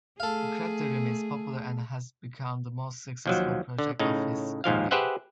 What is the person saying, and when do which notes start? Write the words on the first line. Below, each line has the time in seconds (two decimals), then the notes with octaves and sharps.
The character remains popular and has become the most successful project of his career.
0.20 A3 G#4 A4 F5
3.26 D#2 F3 F#3
3.78 D3
3.99 A2 C#3 D#4
4.64 D#2 G#2 F3 F5
4.91 G4 G#4 B4 C5 E5 F#5